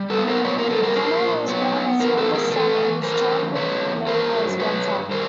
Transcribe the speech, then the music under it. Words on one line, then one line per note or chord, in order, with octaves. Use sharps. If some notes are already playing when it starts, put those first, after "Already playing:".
Kamo was born as the youngest son and his childhood name was Genta.
Already playing: G3
A4 B4
B3
A#4 C5
A#2 B4 C#5
A#4
G3 A4 B4
A#4 C5
A#2 A#4 C5
A#2
B3 B4 C#5
B3
E2 A#4 C5
A4 B4
E2
G#4 A#4
E3 A4 B4
E3
E3 A#4 C5
C#3
E2 B4 C#5
E2
G2 A#4 C5
F#3
F#3 B4 C#5
G2
D#3 A#4 C5